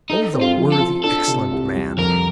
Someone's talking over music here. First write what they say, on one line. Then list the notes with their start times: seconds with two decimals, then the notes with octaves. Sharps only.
Oh, the worthy, excellent man!
0.10 D#4 A4
0.34 C4
0.41 F4
0.57 F3
0.72 A4
0.80 F4
1.04 D4 A4
1.27 C3
1.51 C2
1.75 G3
1.97 F2 A#4